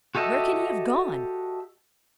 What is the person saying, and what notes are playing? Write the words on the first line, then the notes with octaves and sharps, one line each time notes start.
Where can he have gone?
F#4 G4 A4 D#5 E5